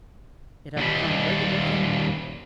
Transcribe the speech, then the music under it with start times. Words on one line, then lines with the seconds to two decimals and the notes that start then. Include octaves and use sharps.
It had become a regular thing now.
0.77 D#2 G3